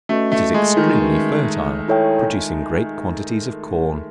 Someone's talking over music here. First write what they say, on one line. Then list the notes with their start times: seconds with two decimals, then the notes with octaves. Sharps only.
It is extremely fertile, producing great quantities of corn.
0.09 A3 C#4 F#4 B4 D#5
0.32 A3
0.54 G#3
0.77 D#3
0.99 C#4 F#4 B4 D#5
1.88 E4 A4 C#5 E5 G5